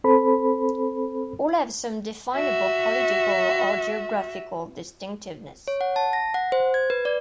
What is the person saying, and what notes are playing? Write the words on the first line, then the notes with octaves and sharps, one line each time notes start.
All have some definable political or geographical distinctiveness.
C4 A4 C5 B5
F#4 E5
C#5
F#5
A5
A#6
F#5
C5
G#6
B4
D5